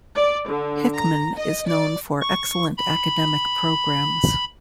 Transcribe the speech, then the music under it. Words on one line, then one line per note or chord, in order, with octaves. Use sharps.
Hickman is known for excellent academic programs.
D5
D3
A#5
D#5
D5
C#6
B5